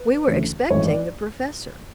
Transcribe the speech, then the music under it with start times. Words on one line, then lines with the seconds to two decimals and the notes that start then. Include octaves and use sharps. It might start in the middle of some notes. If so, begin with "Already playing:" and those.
We were expecting the professor.
Already playing: B4
0.27 D2 C#3 E3 A3
0.70 G#1 F#2 E3 A3 C#5
0.86 D5